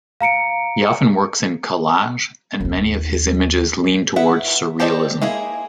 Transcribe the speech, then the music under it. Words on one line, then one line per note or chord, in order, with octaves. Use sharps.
He often works in collage, and many of his images lean toward surrealism.
F5 A#5 C#7 D7
D#2 D#4
B3 E4 B4 E5 F#5
G4 A4 C5 D5 D#5
G#3 A#3 E4 G#4